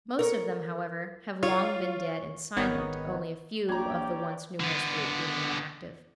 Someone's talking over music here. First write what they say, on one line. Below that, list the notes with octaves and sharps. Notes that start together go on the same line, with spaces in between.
Most of them, however, have long been dead and silent, only a few of the once numerous group being now active.
A#4 C#5
F4 C#5
G#1 D#3 B3 D#4 C#5 F#5
A#1 G4 C#5 D5 G5 A#5 G#6
D3 B3